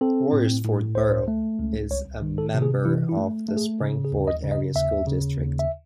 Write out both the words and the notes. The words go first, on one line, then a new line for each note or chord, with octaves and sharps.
Royersford Borough is a member of the Spring-Ford Area School District.
C4 A4
A2
A2
C#2 C5
A3
C#2
C2 C#5
D#3
A4
C3
G#4
E3 E4
E4
A3
A3
G#4
C#3
G#4
D#2
D#5
C#3
D#5
D#2 E5
C#3
D#2
E5